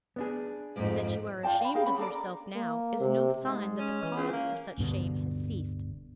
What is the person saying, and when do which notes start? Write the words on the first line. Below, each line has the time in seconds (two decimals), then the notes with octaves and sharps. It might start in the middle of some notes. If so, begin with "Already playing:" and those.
That you are ashamed of yourself now is no sign that the cause for such shame has ceased.
0.16 B3 D4 G#4
0.76 F2 G#2
1.43 F4 D5 G5 A5
1.60 F5 B5
1.74 G4 G#4 A#4 F5
1.86 C#4 F#5 B5
1.98 D4 A4 A#4 D5
2.14 A#4
2.55 A#3
3.00 C3
3.43 G#2 G#3
3.79 C#4
4.02 E3
4.16 C#2
4.33 A#3 C#4
4.77 D1 G2 B2 D3